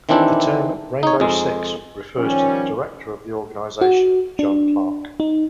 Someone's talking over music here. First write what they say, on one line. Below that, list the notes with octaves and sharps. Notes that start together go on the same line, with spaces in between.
The term "Rainbow Six" refers to the director of the organization, John Clark.
D#3 E3 C4 D4 E4 G4
D#4 C#5
F2 G#3
D#3 F3 G3 C#4
F#4
D4
D#4